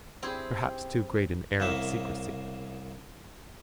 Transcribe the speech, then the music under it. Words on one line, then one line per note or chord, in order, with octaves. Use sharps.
Perhaps too great an air of secrecy.
C4 E4 G4 G#4
C2 C#3 A#3 E5